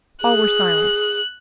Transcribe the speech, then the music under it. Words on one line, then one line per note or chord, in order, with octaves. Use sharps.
All were silent.
G#4 F#6